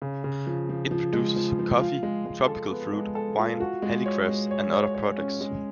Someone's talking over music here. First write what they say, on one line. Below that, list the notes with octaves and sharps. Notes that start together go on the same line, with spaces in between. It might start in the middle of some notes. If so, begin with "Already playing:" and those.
It produces coffee, tropical fruit, wine, handicrafts, and other products.
C#3
C#3
F3
F3
F3
G#3
F3
F3
F4
G#3
G#3
A4
B3
G#3
A4
F4
F#4
G#3
C#5
G#3
C#5
C#5
C#5
C#4
G#3